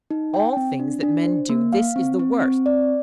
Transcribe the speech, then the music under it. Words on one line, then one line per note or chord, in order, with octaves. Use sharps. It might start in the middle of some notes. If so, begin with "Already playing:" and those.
Of all things that men do this is the worst.
D#4
G5
C4
D4
D4
C5
A#3
F5
C4
C4
C4
D5